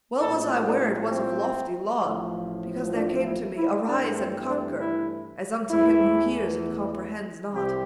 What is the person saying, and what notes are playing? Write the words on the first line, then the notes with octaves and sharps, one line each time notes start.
Well was I ware it was of lofty laud, Because there came to me, "Arise and conquer!" As unto him who hears and comprehends not.
A#1 A2 F3 C4 A4
D4
C4
A1 A2 F3
D4
E4
E4
G2 E3 A3 D4
C4
D4
E4
E2 E3 A3 E4
C2 C3 G3 C4 G4